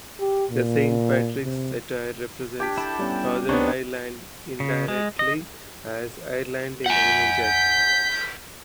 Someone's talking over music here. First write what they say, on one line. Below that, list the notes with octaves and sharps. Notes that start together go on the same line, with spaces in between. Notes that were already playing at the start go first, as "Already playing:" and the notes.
The Saint Patrick's Saltire represents Northern Ireland indirectly as Ireland in the Union Jack.
G4
A#2
C3
D4 G4 G5 G#6 B6
E4 A4
G3 B3 C#4
D2 B3 C4 D4 D#4 C#5
C#3
G#3
D#5
F#5 G#5 G6 B6
G6 B6